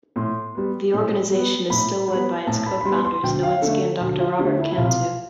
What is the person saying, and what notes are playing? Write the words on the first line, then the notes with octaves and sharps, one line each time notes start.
The organization is still led by its co-founders, Nowinksi and Doctor Robert Cantu.
A2 C6
G3 B3
A2
G3 B3
A2 B5
G3 B3
A2 A5
B5
B5
G3 B3 C6
C6
D2 G5
F5
D3 A3 A4
D2
F4
D3 A3 G4
E4
E4
C2 F4